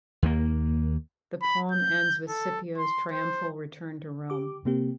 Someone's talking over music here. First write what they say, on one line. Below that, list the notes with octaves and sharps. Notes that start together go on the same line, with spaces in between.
The poem ends with Scipio's triumphal return to Rome.
D#2 A#3
B5
G6
A4
C6
C5
G4 D6
C3 A#3 C4 G4